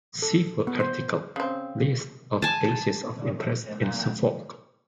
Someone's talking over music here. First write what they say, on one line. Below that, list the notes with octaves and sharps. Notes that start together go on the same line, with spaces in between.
See full article, List of places of interest in Suffolk.
A4
B3
C5
C#3 C4
G#5 A5